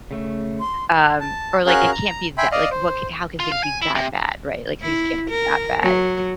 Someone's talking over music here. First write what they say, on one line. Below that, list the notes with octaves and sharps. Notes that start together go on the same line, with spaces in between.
Um, or like, it can't be that like, what how can things be that bad? Right? Like, things can't be that bad.
C#3 A3
C6
A5
C#4 F#4 G#4 A#4 F5 F#6
A#5
E5 G5 G#5 B5 C6
D5 D#5 F5
C5
F4
F5
G#5
E4
C3
E4
A#4
F#3